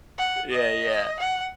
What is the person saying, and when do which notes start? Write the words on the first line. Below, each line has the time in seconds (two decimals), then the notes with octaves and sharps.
yeah, yeah,
0.18 F#5
0.51 D#5
1.19 F#5